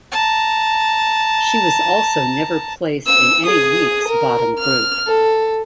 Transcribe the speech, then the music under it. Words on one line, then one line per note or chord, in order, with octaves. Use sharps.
She was also never placed in any week's bottom group.
A5 A#5
E6
G#4 D#6
A#4
F6
A4